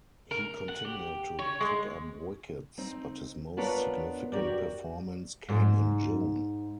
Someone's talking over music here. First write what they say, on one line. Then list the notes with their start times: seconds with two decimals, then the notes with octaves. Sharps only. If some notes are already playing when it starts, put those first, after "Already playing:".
He continued to pick up wickets, but his most significant performance came in June.
0.31 A#4
0.68 F#5
0.85 G4
1.39 C#5
1.60 G#3
2.78 C4 D#4
3.57 B3 D4 F4 A#4 B4 C#5
4.32 F#4 G4 A#4 D5
5.49 G#2